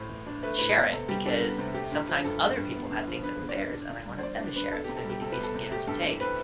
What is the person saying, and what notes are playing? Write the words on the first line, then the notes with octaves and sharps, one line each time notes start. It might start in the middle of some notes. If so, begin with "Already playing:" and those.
share it, because sometimes other people had things that were theirs, and I wanted them to share it, so there needed to be some give and some take,
Already playing: A2 A3 C5
E3
D4
A3 B4
A2 B4
B3
C3 A4
G3 G4
D4 A4
B3
C3
A3 G4
G2
F3
G2 A4
A3
G2
B3
D3
F3
D3 B4
B3
D5
D3
D4
D3
G3
C5
D3 D5
D4
D3 B4
B3 A4
C3 G4
A4
G3
G4
C3 A4
B4
B3
A4
C3
A3 G4
G2 A4
E3
C4 B4